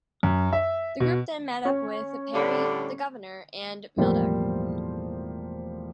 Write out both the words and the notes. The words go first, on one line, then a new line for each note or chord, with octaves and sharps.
The group then meet up with Peri, the Governor, and Meldak.
F#2
E5
B2
C#4
A2 D3 G3
E1 A2 F3 G3 A#3 C5